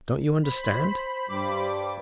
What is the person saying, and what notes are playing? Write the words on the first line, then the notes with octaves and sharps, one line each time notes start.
Don't you understand?
C5 B5
G2 G3 D6